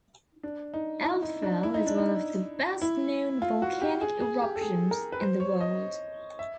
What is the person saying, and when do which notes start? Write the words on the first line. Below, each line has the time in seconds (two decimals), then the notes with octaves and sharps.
Eldfell is one of the best known volcanic eruptions in the world.
0.43 D4
0.74 D#4
1.04 E4
1.22 D#4
1.42 D4
1.63 E4
1.74 D#4
1.87 D4
1.98 D#4
2.82 E4
3.42 F4
3.62 F#4
3.81 G4
4.01 G#4
4.20 G#4
4.41 G4
4.56 A4
4.61 G#4
4.91 A#4
5.12 B4
5.20 C5
5.40 C#5
5.61 D#5
6.39 E5